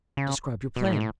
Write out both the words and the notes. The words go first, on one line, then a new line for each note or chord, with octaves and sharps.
"Describe your plan."
C#3
B2
A2
G#2
A2